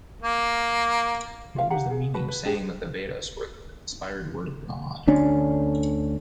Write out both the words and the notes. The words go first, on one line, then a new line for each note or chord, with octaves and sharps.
What was the meaning of saying that the Vedas were the inspired word of God?
A#3
F4 E5 F5
G4 F5 F#5 A#5
G#4
F#4 B4 A5 B5
B4
D4 G4 G#4
D2 D3 C#4 D4